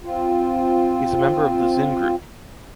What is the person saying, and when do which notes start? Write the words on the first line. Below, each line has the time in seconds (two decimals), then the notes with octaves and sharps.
He's a member of the Zin group.
0.03 C4 F4